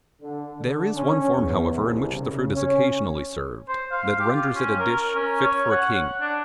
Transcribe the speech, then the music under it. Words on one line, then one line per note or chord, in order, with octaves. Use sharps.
There is one form, however, in which the fruit is occasionally served, that renders it a dish fit for a king.
D3
D3
C#4
E2
C2
C#3
C#4
C5
F5
G4
F4
C#4
A#4
C#4
C#5
F#5
D4